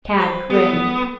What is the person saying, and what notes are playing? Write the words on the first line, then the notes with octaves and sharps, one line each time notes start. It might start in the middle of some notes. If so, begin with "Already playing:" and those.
Tad grinned.
B4 C5 G5
B3 G4 A4